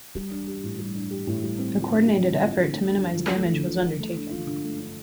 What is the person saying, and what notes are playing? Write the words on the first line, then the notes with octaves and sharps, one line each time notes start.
A coordinated effort to minimise damage was undertaken.
G3
D4
G4
A2
G3
D4
G4
A2
G3
C4
F4
D3
G3
C4
F4
D3
A3
D4
F3
F3
A3
D4
F3
F3
A3
D4
F4
D3
A3
D4